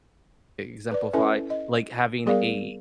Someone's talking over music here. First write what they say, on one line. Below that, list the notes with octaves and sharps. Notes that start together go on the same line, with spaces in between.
exemplify, like, having a
B4 D5
C#4 E4 A4 B4 E5 G#5
D#5
G3 B3 G#4 A#4 D5 F5